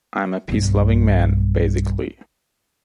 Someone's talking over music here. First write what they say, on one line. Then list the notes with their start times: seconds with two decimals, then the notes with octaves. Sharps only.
I'm a peace-loving man, basically.
0.48 B1 G2